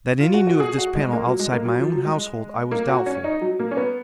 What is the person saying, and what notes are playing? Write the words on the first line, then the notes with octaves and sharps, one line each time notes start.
That any knew of this panel outside my own household, I was doubtful.
F4
F#4
F#4
G#4
F#4
G#3
A#3
F#3
G#3
A#3
F#3
F3
F#3
G#3
A#3
F#4
C#4
D#4
F#3
A#3
C#4
B3